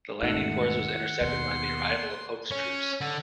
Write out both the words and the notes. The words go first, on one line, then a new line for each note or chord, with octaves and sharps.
The landing force was intercepted by the arrival of Hoke's troops.
E1 G#2 D#3 A3 F#5 E6
D#2 B2 C6
C#4
D3